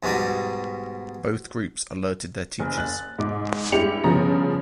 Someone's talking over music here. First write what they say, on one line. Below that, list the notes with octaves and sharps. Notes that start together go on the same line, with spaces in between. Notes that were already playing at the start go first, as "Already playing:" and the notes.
Both groups alerted their teachers.
G#2 B2 G3 D#4
F#1
F#6 A6
G#2 D6
G2 G#3 E4 G4 C#7 F7
G2 C#3 F3 B3 A#5 A#6